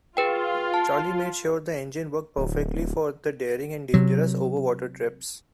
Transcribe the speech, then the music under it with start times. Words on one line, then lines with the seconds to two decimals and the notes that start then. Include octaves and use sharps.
Charlie made sure the engine worked perfectly for the daring and dangerous over-water trips.
0.17 F4 G#4 B4 G5
0.74 A5
2.38 D1
3.94 C3 F#3